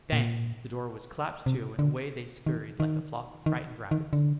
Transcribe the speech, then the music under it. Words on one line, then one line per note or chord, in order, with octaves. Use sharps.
Bang! the door was clapped to and away they scurried like a flock of frightened rabbits.
A#2
C3
D3
D#3
D#3
D#3
D#3
D3